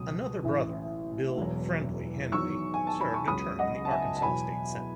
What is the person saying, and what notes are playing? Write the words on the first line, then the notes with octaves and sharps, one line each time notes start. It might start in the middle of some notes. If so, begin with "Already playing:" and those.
Another brother, Bill "Friendly" Henley, served a term in the Arkansas State Senate.
Already playing: C#2 B2 F#3 D#6
A1 A2 E3
E1 E2 B2 F#3
E2 D#3 F#3 C#6 E6
G#5
A5
B5
C#6
C#2 C#3 F#3 B5 D#6
D#5 F#5
A5
E5 G#5
A5
E2 B2 F#3 G#5 B5